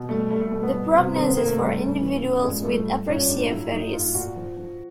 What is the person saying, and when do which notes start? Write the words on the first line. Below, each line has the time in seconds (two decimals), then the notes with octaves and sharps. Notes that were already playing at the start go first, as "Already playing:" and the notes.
The prognosis for individuals with apraxia varies.
Already playing: B2
0.09 G3 A3
0.31 G3 A3
0.41 A3
0.52 B2 A3
0.63 B3
0.73 G3
0.94 C3
1.15 D#3 C4
1.27 B3
1.37 C3 A#3
1.48 A3
1.59 G3
1.80 C#3
2.01 E3
2.23 C#3
2.44 A#2 G#3
2.65 G3 A3
2.86 G3
3.08 A#2 C#4
3.29 A2 D4
3.50 F#3 E4
3.72 F#3 D#4
3.93 A2 F4
4.14 A#2 F#4
4.36 F3
4.57 F3